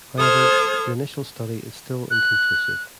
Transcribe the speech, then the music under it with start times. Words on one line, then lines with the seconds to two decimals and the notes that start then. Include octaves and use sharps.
However, the initial study is still inconclusive.
0.18 A4 C5 D#6 F6 G#6
2.10 F#6